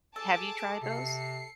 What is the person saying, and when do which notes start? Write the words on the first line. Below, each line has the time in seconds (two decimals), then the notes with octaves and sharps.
Have you tried those?
0.16 G#4 A4 A5 D6
0.83 C3 C7 C#7